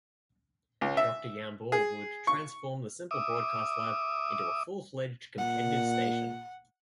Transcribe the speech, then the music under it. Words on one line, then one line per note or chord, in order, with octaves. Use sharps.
Doctor Yambor would transform the simple broadcast lab into a full-fledged competitive station.
C#2
E5
G#4
C#6
E5 D6 D#6
A#2 F#5